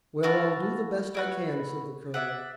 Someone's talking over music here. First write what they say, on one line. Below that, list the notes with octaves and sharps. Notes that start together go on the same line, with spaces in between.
"Well I'll do the best I can," said the colonel.
E4 F#4 F5 A5
E4 F#4 B4
G#4 D5 E5 F#5